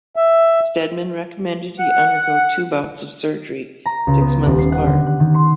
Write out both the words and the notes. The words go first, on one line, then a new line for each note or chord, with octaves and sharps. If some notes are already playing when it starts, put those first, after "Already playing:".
Steadman recommended he undergo two bouts of surgery six months apart.
E5
F#5
A#5
C#2
B3
D#1
C7
F#5
D3
F#6
D#3
C6